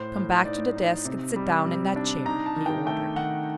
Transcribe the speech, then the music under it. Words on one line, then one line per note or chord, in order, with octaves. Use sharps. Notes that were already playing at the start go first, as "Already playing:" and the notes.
"Come back to the desk and sit down in that chair!" he ordered.
Already playing: A2 C5
A2
D#4 D5
D#4
C3
G3
C3
D4
D#4 A#5
A5
D#3
G5
A3 G5
D#3 F#5